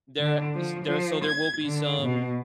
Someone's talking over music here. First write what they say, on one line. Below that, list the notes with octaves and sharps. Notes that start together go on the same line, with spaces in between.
there ish there so there will be some
D3
F3
F3
G#6
D3
B2